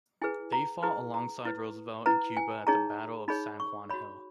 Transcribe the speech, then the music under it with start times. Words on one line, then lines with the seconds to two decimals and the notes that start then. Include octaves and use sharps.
They fought alongside Roosevelt in Cuba at the Battle of San Juan Hill.
0.22 E4 G#4 B4 G#5
0.53 A#5
0.83 E4 G#4 B4 A#5
1.14 A#5
1.45 E4 B4
2.06 E4 B4 A#5
2.37 G#5
2.67 D#4 G#4 C#5 A#5
3.28 D#4 G#4 C#5 B5
3.60 C#6
3.90 F#4 C#5 B5